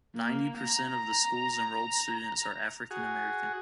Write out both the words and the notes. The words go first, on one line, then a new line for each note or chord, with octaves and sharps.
Ninety percent of the school's enrolled students are African-American.
A#3
A#5
F#4 G#4